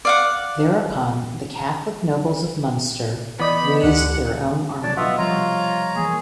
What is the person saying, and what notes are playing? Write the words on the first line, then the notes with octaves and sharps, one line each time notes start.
Thereupon the Catholic nobles of Munster raised their own army.
D5 F5 F#5
E3 B3 D5 D#5 B5 D#6 G6
D2 D3 G4 F#5
D4 C#5 D5
B2 F#3 B3 F4 D#5 E5 F#5
C3 F3 G3 F4 C#5 A#5
E3 A#3 G#4